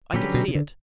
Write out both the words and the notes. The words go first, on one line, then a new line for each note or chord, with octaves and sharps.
I can see it.
A#2 D3 F#3 C#4 G4 B4
B2
C#3
D3